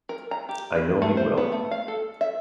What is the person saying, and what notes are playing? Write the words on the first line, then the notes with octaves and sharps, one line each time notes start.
I know he will!
A#4
A#5
G4
E4
A3
C5
B3
A3
F5
A4
E5